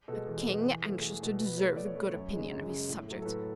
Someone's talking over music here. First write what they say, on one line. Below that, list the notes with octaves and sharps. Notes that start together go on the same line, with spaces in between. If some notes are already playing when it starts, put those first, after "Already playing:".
A king anxious to deserve the good opinion of his subjects!
B2 G#3 A4
E2 A4
B2 G#3
E2
B2 A3
E2 G#4
B2 A3 A4
B2
B4
A3 C#5
B2 D5
C#5
A3 B4
C#5
F#2
C#3 G#3
F#2
C#3 G#3
A2
F#3 A3
A4
A2 B4